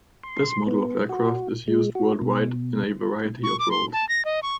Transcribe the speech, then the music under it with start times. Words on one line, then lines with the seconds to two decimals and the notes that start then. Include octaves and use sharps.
This model of aircraft is used worldwide in a variety of roles.
0.23 C6
0.67 B3
1.09 F#4
1.68 G#3
1.95 F#4
2.22 B2
3.43 C#6
3.59 D6
3.71 C6
3.93 A5
4.09 A#6
4.25 D#5
4.43 C#6